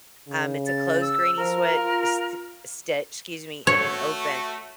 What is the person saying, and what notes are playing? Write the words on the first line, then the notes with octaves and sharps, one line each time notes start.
um, it's a closed granny sweat s s stitch, excuse me, and an open.
C#3
A6
E6
F3 A#4
F4
A3 F#4 C#5